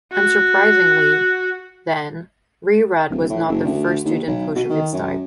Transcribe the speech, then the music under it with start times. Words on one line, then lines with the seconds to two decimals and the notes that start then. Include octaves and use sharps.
Unsurprisingly, then, Re-Rad was not the first student push of its type.
0.12 F#4
3.10 D1
3.30 A2
3.48 F#1
3.65 D2
4.05 D#2
4.27 B1
4.55 B2
4.69 D#3
4.93 F#2